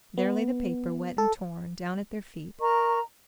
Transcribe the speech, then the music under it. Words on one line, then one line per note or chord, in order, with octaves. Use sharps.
There lay the paper wet and torn, down at their feet.
B3
A4
A#4 D#5 A#5 C#6